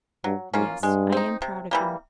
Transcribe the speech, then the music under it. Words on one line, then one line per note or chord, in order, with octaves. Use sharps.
"Yes, I am proud of you."
G2 F#3
G#2 A#3 C#4 F4
G2 G#3
C4 D#4
C3
E3 G3 A#3